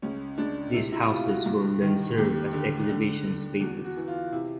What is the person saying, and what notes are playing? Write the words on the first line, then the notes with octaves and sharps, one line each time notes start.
These houses will then serve as exhibition spaces.
C#2 C#4
C#2 D4
C3 E4
E4
C3 F4
F#4
G2
D#3
D#2 G4
D3
D3
D3
E2 F#4
F#4
E3
F4
C3 E4